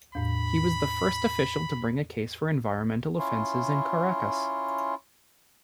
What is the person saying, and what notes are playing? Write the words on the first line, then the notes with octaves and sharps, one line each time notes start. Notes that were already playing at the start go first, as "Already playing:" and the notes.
He was the first official to bring a case for environmental offenses in Caracas.
E2 A2 B5
C#4 E4 F4